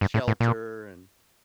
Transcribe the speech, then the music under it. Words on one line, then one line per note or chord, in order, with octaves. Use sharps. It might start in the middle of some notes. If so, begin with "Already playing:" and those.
shelter, and,
G2
A2
A2
A#2